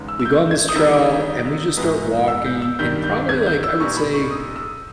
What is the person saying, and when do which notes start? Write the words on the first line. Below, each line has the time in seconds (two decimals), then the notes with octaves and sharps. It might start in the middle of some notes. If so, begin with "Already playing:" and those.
we go on this trail and we just start walking and probably like I would say
Already playing: E2 C#3 G#3 B3 D#4
0.08 E6
0.20 E6
0.25 G6
0.51 G#6
0.69 D#6
0.75 D#3 G3 B3 D#4 E6
1.77 G#2 E3 G#3 B3 D#4
2.28 E6
2.45 G6
2.62 E6
2.79 G2 D#3 G3 G6
3.04 G6
3.29 G#6
3.47 G6
3.64 E6
3.80 A#2 G3 B3 D#4 C#6
3.97 B5
4.14 C#6
4.31 D#6
4.56 E6